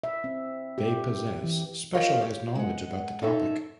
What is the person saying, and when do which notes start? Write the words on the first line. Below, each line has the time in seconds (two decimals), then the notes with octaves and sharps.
They possess specialized knowledge about the topic.
0.04 E5
0.24 C4
0.78 G4
1.44 E3
1.94 F4 G4 A#4 C#5 D#5 F5
2.21 G4 C#5
2.55 G#3 F#5
3.22 D#4 A4 C#5 E5